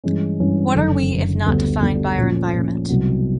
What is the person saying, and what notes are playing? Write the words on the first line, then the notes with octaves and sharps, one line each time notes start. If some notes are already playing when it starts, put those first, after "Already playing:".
What are we if not defined by our environment?
G2 E3 G#3 C#4
G2 E3 G#3 C#4
F#1 F#2 D3
F#1 F#2 D3
D2 D3 G3 B3 D4
D2 D3 G3 B3 D4
A#2 F3 A3 C#4
A#2 F3 A3 C#4
C2 B2 F#3 B3